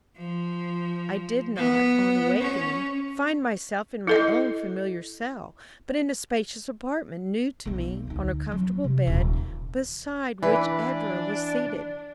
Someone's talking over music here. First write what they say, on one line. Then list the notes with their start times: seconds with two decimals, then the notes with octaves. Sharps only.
I did not, on awakening, find myself in my own familiar cell, but in a spacious apartment new to me, on a comfortable bed, beside which Edra was seated.
0.17 F3
1.57 B3
2.41 C#4
4.07 E4 A4 D#5
7.66 B1 G#3
8.07 D2 D#4
8.52 F#3
8.84 C3
9.07 D#1
10.43 E3 D4 B4 D5